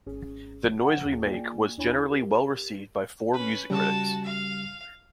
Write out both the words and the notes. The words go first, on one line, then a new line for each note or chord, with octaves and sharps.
"The Noise We Make" was generally well received by four music critics.
G#1 C#4 G#4
F#5
D#2 G#4
A#3 F4 G#4 D5 G5 G#5
D#2 D4 E4 C#5 G#5 B5
G4 A#4
C#4 B4
C#3 G3 F#4 A5
F5